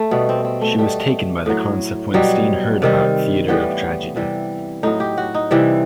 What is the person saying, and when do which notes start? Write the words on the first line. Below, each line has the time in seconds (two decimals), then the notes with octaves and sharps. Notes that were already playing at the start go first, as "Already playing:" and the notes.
She was taken by the concept when Stene heard about Theater of Tragedy.
Already playing: A3
0.11 B2 G3 B3
0.29 C4
0.45 C4
0.61 A3
0.78 B2 G3 A3
1.46 A2 F#3
2.14 B2 F#3 G3
2.82 C3 D#3 G3
3.48 A2 E3 G3 B3
4.16 C3 E3 G3
4.83 A2 F#3 D#4
5.00 G4
5.17 F#4
5.34 D#4
5.51 C3 E3 G3